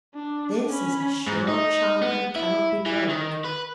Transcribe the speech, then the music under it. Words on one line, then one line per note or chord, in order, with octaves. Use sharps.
This is a sure charm, and cannot be broke.'
D4
C#4 B5
G#2
D#4
B3
E4
E3
D#3
B4